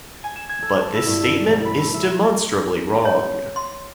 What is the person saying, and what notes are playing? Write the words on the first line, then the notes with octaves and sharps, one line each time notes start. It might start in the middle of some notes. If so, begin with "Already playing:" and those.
But this statement is demonstrably wrong.
G#5
E7
G#6
A4
A5
E4
G2
A4
E1
B5
A3
E5
C#5
C6